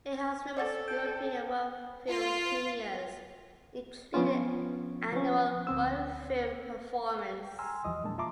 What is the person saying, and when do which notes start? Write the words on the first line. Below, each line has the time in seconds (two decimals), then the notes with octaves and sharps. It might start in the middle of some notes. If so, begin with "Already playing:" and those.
It hosts numerous European and world film premieres including the annual Royal Film Performance.
0.57 A4 C5 D5 F#5 A6
0.88 G5
2.08 F4
4.14 F3 B3 C#4 F4
5.13 F3 C#4
5.67 D2 C4 E6
7.45 G5
7.59 G#5 A#5 C6 E6 F6
7.84 E2 E3 F3 G3 D#5 D#6
8.03 A#2 G#3 A#3 D4 A5
8.18 F4 E5 A5 A#5 C6 D6